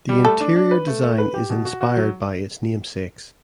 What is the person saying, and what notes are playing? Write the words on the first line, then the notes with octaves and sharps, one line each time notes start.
The interior design is inspired by its namesakes.
G3
A3 A4
D4
D4
B4
A3
A3
B4
G4
B2
F#4
F#4
F#3